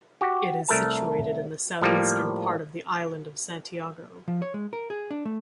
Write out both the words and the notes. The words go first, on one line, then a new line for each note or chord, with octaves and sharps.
It is situated in the southeastern part of the island of Santiago.
F#4 G4
C2 A3 A#4 A5
A2 F3 G3 A#3
F3
C#5
G#3
A#4
G#4
D4
A3